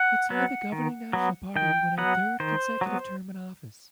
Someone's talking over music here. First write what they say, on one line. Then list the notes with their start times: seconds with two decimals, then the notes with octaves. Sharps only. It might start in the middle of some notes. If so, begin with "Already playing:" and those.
It saw the governing National Party win a third consecutive term in office.
Already playing: F#5
0.30 F#3 B3
0.72 D#3
1.13 F#3 B3
1.56 D#3 G5
1.98 F#3 B3 F#5
2.40 D#3 C5
2.81 F#3 B3